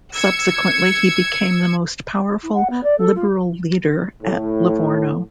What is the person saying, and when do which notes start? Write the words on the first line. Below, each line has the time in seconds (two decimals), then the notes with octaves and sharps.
Subsequently he became the most powerful Liberal leader at Livorno.
0.14 E6 G#6 C#7
2.42 E4
2.54 F#5
2.70 B3
2.83 D5
2.98 A4
3.15 F4
4.22 A2